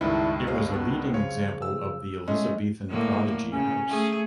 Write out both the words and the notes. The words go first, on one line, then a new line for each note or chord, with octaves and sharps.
It was a leading example of the Elizabethan prodigy house.
C#2 G2 D#3 D4 E4
D#2 F5
B3 D4
C#3 F3 C#5
E6
G#3 A3 C#4
A2 D3 A#3
C#3 C#4
A3 G#4